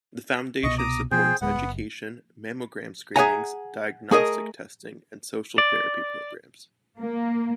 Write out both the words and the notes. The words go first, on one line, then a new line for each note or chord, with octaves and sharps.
The Foundation supports education, mammogram screenings, diagnostic testing and social therapy programs.
C2 B2 D#5 C#6
A#5 D6 D#6
B2 F3 G#4 C5 G5
D1 G#3 B3 F#5
F#1
G#4 C5 E5 F#5 G#5 A#5
A3 G#4 A#4 D#5
D5
A#3